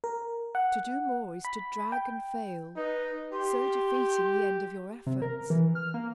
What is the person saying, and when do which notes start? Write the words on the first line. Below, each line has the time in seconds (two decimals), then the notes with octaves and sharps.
To do more is to drag and fail, so defeating the end of your efforts.
0.04 A#4
0.55 F#5
1.45 B5
1.92 G5
2.77 D#4 B4
3.33 G4 C6
5.06 C3
5.22 A#4
5.50 E3
5.75 F6
5.94 A#3